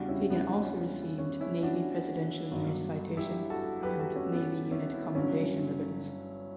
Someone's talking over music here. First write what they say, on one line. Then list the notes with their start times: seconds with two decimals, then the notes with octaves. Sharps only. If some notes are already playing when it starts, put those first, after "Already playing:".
Fegan also received Navy Presidential Unit Citation and Navy Unit Commendation ribbons.
Already playing: E2 C#3 G3 D4 F#4
0.08 C#4 E4
0.30 B3 D4
0.53 C#4
1.18 C#4
1.41 C#4 E4
1.63 D4 F#4
2.51 G1 G2 F#3
3.17 E4 G4
3.50 F#4 A4
3.83 G4 B4
3.99 F#4 A4
4.16 C#4
4.33 B3
4.71 C#4 E4
4.93 C#4 E4
5.15 G1 G2 F#3 C#4 E4